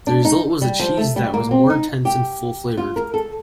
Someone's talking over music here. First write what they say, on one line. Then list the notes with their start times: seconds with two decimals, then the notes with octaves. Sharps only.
The result was a cheese that was more intense and full-flavoured.
0.07 D4
0.25 D#4
0.62 G3
0.79 F3
0.97 A3
1.16 G3
1.34 A#3
1.51 C4
1.70 D#4
2.05 G4
2.77 F4
2.96 A#4
3.14 A4